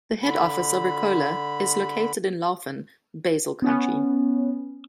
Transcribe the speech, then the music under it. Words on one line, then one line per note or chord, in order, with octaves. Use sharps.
The head office of Ricola is located in Laufen, Basel-Country.
D3 B5
B3 C#4